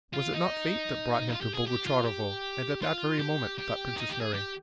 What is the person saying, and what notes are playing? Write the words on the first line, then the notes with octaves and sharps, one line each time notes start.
"Was it not fate that brought him to Bogucharovo, and at that very moment?" thought Princess Mary.
F4
D#4
F4
G4
G#4
G4
F4
G4
F4
G4
G4
D#4
G4
G#4
G4